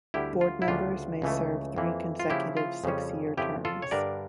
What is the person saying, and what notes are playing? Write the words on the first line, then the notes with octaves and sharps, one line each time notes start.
Board members may serve three consecutive six-year terms.
D2 D3 G3 E4 G4
F4
E4
D2 C#3 G3 D4 F4
C#2 C#3 E3 A3
F2 E3 A#3
F4
C#3 F3 A#3 E4 G4
F4
F2 C#3 G3 C#4
F2 C#3 F3 E4 G4
F4 A4
C#5
G2 D3 G3 D4 A#4 D5